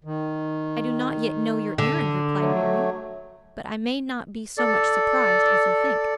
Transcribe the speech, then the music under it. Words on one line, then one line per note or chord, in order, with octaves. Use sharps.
"I do not yet know your errand," replied Mary; "but I may not be so much surprised as you think."
D#3
D3
F#3 A3
A4 D5